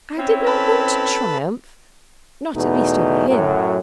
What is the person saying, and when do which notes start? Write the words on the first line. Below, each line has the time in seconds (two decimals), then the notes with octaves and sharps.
"I did not want to triumph;--not at least over him."
0.17 C4 C#4 E4
0.46 A4 B4
2.54 E2 B2 A3 D#4
3.28 F#2 A2 F#3